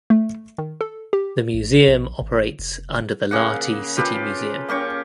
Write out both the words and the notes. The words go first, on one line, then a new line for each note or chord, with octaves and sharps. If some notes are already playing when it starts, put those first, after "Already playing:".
The museum operates under the Lahti City Museum.
A3
D#3
A4
G4
A1
A#1
G#1
F1
C#3 A#3 F#5
F4 G4 A4 B4
A#3 C#4 G4 C#6